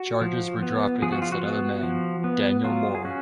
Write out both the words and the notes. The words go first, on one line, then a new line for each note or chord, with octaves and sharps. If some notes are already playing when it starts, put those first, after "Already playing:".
Charges were dropped against another man, Daniel Moore.
Already playing: F#4
F3
B3
F3 G#4
F#4
F4
F#4
B3
F3
B3
F#3 F4
G#4
C#4 F#4